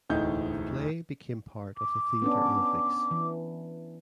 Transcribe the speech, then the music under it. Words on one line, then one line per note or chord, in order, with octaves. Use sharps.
The play became part of the Theatre Olympics.
E1 D2 A2 D#4 G6
D6
B3 C#4 D4
E3